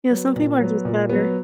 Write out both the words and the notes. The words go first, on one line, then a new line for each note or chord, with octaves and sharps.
Yeah, some people are just better.
F#3 B3
A#2
F#3 B3
A#2
F#3 B3